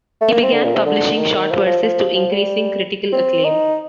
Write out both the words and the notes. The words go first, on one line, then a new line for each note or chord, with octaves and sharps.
He began publishing short verses to increasing critical acclaim.
A3
A#3
C4
D3
A#2
C3
D3
D#3
F3
F3
F3
F3
G3
C4
D#4